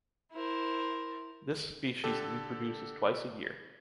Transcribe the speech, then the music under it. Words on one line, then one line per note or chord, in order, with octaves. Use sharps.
This species reproduces twice a year.
E4 A#4 C5
D3 G4 A4